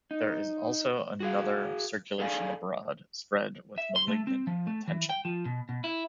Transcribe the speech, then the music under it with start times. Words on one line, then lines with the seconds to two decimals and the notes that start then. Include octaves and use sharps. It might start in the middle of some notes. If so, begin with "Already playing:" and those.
There is also another circulation abroad, spread with a malignant intention.
0.11 D#4
1.20 F#4 G#4 F5
2.19 G#4 A4 D5 F5 G#5
3.78 E5
3.96 C6
4.08 A3
4.27 C4
4.47 F3
4.67 A3
4.88 E3
5.09 G5
5.25 F3
5.45 B2
5.69 B2
5.84 E4